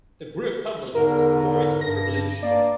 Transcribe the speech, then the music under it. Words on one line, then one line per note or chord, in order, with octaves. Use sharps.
The group publishes "Voice of Revolution".
E2 G#2 D3 A#4
G2 A#6
G2 A#3 D5